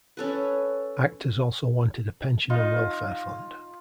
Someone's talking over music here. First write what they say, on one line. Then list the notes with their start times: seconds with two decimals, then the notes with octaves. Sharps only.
Actors also wanted a pension and welfare fund.
0.17 C#4 A4 B4
2.50 D#4 F4